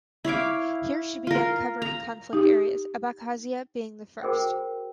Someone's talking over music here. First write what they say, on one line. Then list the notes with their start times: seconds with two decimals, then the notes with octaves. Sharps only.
Here she began covering conflict areas-Abkhazia being the first.
0.25 E4 C#5 F5 D6
1.27 F4 A#4
1.82 A#5
2.33 D#4 G4
4.22 F#4 G#4 A#4 C5 G5